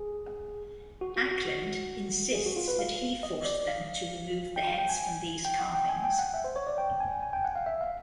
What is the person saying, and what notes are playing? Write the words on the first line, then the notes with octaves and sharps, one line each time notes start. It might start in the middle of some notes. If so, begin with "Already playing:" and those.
Acland insists that he forced them to remove the heads from these carvings.
Already playing: G#4
F#4
F#4
F#4
G#4
F#4
F4
B4
F5
D#5
D5
F5
G5
F5
G5
G#5
G5
F#5
G5
G#5
G5
F#5
E5
C5
C#5
D5
G5
G#5
G#5
G5
F#5
F5
E5
F5